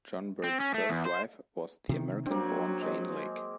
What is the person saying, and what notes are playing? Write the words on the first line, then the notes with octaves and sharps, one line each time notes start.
John Birt's first wife was the American-born Jane Lake.
C4
C#4
A3
E2
C5
C3 D#3
F#3 A#3 C4 D4
G#3